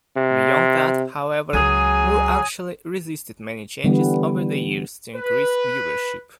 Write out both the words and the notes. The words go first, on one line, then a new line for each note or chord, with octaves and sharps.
Beyond that, however, Moore actually resisted many changes over the years to increase viewership.
C3
C#2 F#3 G#4 G#5 D#6 G#6 D#7
D3 E3 G3 B3
B4